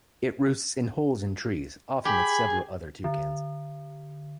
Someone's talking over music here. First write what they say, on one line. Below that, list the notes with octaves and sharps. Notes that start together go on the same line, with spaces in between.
It roosts in holes in trees, often with several other toucans.
G4 G#4 B5
D3